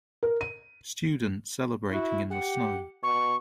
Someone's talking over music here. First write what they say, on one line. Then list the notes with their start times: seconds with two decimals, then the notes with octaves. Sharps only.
Student celebrating in the snow.
0.23 A#4
0.41 D#7
1.90 E4 F#4
2.31 G4 F#5
3.03 B2 C#6